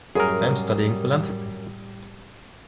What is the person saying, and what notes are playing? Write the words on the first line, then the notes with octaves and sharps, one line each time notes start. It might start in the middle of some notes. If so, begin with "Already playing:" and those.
I am studying philanthropy.
F#2 A2 G3 G#4 A#4